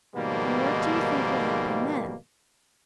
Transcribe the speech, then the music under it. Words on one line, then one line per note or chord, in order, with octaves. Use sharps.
And what do you think will happen then?
G#2 B2 D#3 F3 G3 A#3